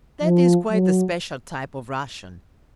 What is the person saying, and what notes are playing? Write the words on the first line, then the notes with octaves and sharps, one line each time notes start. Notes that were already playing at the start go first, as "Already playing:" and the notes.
That is quite a special type of Russian.
F3
F#3